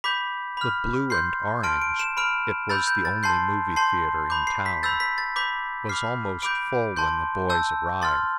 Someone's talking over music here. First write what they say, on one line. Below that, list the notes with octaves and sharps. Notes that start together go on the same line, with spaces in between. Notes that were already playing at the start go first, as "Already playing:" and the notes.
The Blue and Orange--it was the only movie theater in town--was almost full when the boys arrived.
B5 D6 G6 B6
B5 F6
C6 G6 C7
A5 C6 F6 D7
D7
E7
B5 F6 D7
B5 E6 G6 A6
G6
A6
A5 C6 G6 C7
A5 C6 G6 C7
B5 D6 G6
C7
B6
B5 E6 G6 A6
B6
A6
B5 D6 G6 B6
B5 D6 F6 C7
B5 D6 G6 D7
A5 C6 G6
A5 E6 G6
C6 F6 A6